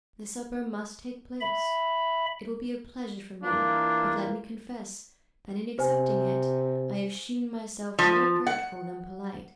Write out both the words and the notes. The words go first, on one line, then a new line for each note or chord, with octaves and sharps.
The supper must take place, it will be a pleasure for me, but let me confess that in accepting it I have shewn myself more grateful than polite.
E5 B5
E3 A#3 D4 F4
C3 C5 G#5
F3
F#5